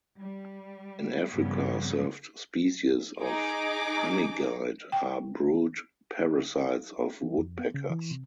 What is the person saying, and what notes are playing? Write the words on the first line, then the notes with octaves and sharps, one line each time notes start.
In Africa, several species of honeyguide are brood parasites of woodpeckers.
G3
E2 G2 C#3 F3 B3 C4
D#4 G#4 D6
G5
E3
F2
B3
C#3
E3
C3